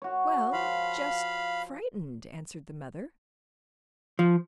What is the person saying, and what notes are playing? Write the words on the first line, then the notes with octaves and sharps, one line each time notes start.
'Well--just frightened,' answered the mother.
F#4 C#5
F3 F5 B5 C6
F3